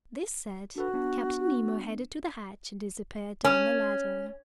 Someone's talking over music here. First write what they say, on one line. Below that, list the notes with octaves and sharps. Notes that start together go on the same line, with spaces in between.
This said, Captain Nemo headed to the hatch and disappeared down the ladder.
D4 F#4 A4 B4
B3 D4
C#4